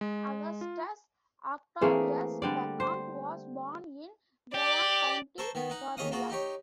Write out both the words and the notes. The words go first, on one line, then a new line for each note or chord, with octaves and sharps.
Augustus Octavius Bacon was born in Bryan County, Georgia.
G#3
F4
E3 A3 A#3 C4 G#4
D3 G3 D5
C5
G4 D5
A4 A#4 C5 C#6
D#3 B3
D#4 F#5
D#2 G#4 C#5 D#5 F5 D#6
A#3 F4 F#4 G#4
D#4 G4 C#5